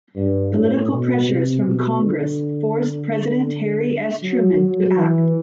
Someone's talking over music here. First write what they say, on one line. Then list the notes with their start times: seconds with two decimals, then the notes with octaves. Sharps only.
Political pressures from Congress forced President Harry S. Truman to act.
0.16 G2
0.52 A2
0.89 B2
1.26 C3
1.63 B2
2.01 D3
4.23 F#3
4.59 F#3
4.97 E3